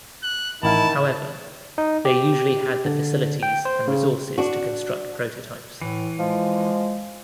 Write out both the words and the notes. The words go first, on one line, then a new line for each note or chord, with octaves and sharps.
However they usually had the facilities and resources to construct prototypes.
F#6
A1 D#3 E4 F5 A5
D#4
G4
D3
G5
C5
C#3
D4 F#4
A2 E3
F3 G#3